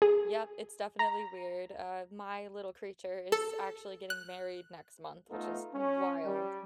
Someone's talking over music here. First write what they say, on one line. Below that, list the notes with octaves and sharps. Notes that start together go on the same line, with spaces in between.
Yup, it's definitely weird. Uh, my little creature is actually getting married next month, which is m wild.
G#4
A#5
A4
F#6
A3 B3 D#4 F4 A4
C#4
G3